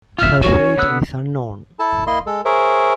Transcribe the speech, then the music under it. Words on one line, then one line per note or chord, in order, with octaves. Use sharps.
Her fate is unknown.
F4 E5 F6
C#4 F#4 C#5
D3 B3 E6 F#6
E4 A4 A5
A#3 E4 D#5 C6
G#3 A4
G#4 A#4 C5 C#5 E5